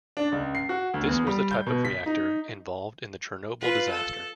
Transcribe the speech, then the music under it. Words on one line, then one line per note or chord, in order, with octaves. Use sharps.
This was the type of reactor involved in the Chernobyl disaster.
D4
C#2
C7
F#4
D2
E2
G3
G6
B2
B6
D#4
F4 B4
A4